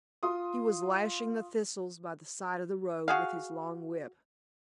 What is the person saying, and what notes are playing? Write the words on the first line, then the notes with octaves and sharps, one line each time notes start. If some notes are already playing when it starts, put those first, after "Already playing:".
He was lashing the thistles by the side of the road with his long whip.
F4 C6 D#6
F#4 G#4 F5